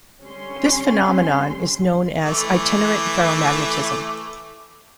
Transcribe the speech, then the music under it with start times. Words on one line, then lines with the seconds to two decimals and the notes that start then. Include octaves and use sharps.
This phenomenon is known as "itinerant ferromagnetism".
0.22 D3 G3 C#4 C6
2.25 E3 A3 D6